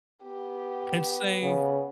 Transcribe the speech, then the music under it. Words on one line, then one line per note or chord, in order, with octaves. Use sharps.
And say
B3 G4
C#3